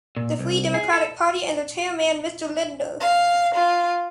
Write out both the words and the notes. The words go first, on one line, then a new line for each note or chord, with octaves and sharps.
The free democratic party and their chairman Mr. Lindner.
A#2
C2
G#4
A4
F5
F4